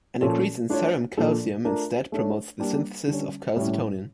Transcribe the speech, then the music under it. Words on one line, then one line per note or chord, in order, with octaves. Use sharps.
An increase in serum calcium, instead, promotes the synthesis of calcitonin.
A#2 F3 C#4 F4 A4
A3 D4 F4 C#5
A#2 F3 A#3 D4 A4
A3 D4 F4 A#4
A3 D4 A4 C#5
G3 A#3 D4 G4
D3 G3 C#4
A2 G3 C#4 E4